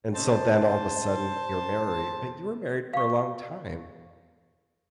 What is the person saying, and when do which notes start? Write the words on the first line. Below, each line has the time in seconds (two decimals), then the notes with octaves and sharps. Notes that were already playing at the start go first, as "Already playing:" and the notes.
And so, then all the sudden you're married, but you were married for a long time.
0.15 C3 C#4 D#4 C5 A5
2.94 F5 C#6